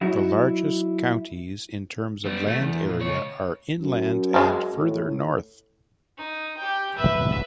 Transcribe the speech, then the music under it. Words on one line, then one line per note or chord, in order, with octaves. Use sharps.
The largest counties in terms of land area are inland and further north.
F#3 D#4 E4 F#4
G3 B3
A3
E2
A#2
C#2 C#5
F#2
F3 F#3 G#3
A2
D#4
G4 G5
B4 E5